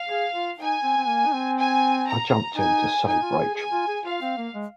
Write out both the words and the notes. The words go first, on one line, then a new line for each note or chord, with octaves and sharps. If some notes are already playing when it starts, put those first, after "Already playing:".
I jumped in to save Rachel.
Already playing: F5
G#4
F4
D#4 G#5
C4
C4
A#3
D#4
C4
G#5
A#5
D#4 G#5
D#4 G#5
F4
G#4
G#4 G#5
F4
G#4
F4 F5
C4
A#3
G#3